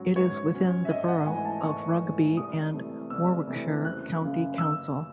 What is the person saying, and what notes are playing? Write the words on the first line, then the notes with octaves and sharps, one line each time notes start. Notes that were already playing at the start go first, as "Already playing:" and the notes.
It is within the borough of Rugby and Warwickshire county council.
Already playing: G#2 F#3 C#4
G#2 C#5
F#3 C#4
E5
G#1 D#5
F#5
G#2 E3 A3 G#5
A5
G#1 C#6
G#2 E3 A3
C2 D#6
C3 E3 A3
C2 E6
C3 E3 A3
F#1 F#6
F#2 C#3
F#1 E6